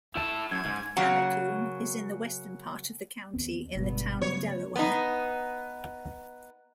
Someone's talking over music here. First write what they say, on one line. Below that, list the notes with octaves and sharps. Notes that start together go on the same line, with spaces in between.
Callicoon is in the western part of the county in the Town of Delaware.
E4 A5
F#2 G#6
G#2
C#3 F#3 A#3 F#5
D#2 B3 C4
G1 G2 B2 G#3 B3
C#3 F#3 A3 C#5
B3 D#4